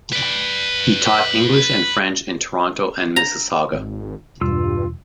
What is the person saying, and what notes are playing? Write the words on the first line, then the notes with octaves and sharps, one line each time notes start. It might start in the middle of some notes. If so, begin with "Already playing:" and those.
He taught English and French in Toronto and Mississauga.
B4 D5
A#5
G#1
E1 G2 F4 E6